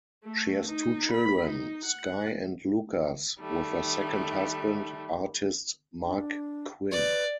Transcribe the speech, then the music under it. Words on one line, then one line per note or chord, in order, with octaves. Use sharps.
She has two children, Sky and Lucas, with her second husband, artist Marc Quinn.
A3
D#4
B5
D#4
F#5
D#3 G3 A3
D4
B4 D5